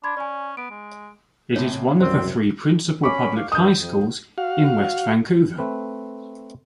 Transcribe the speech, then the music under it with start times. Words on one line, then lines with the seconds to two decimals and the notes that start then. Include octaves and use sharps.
It is one of the three principal public high schools in West Vancouver.
0.04 D4 B5 C6 G#6
0.17 C#4 D5 G#5
0.57 B3 D7
0.70 G#3
1.56 C#2 A2 C3 C#5
2.01 C2 F#2 C4 C5
3.03 C#4 B5 C#6 D6
3.36 F5
3.52 G2 D#6 G6
3.77 F2
4.38 F#4 F5
5.58 A3 C4 B4